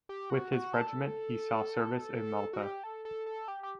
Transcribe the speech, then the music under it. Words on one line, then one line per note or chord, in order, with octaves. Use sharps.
With his regiment he saw service in Malta.
G4
F#4
F#4
A4
F#4
G4
A4
A4
A4
G4
G4